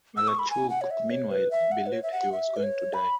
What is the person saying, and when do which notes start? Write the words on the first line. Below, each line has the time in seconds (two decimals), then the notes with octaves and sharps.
Malarchuk, meanwhile, believed he was going to die.
0.17 E6
0.28 C#6
0.39 B5
0.50 G#5
0.70 F#5
0.81 C#5
0.91 E5
1.10 C#5
1.31 B4
1.51 E5
1.72 F#5
1.86 B4
1.92 C#5
2.03 E5
2.12 F#5
2.32 E5
2.57 B4
2.63 C#5
2.93 B5